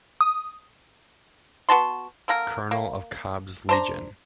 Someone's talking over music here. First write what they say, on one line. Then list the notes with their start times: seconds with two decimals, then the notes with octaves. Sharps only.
Colonel of Cobb's Legion.
0.21 D#6
1.69 B3 F#4 A5 C6
2.28 D3 A#3 A#4
2.71 A#3
3.69 D4 C5 A#5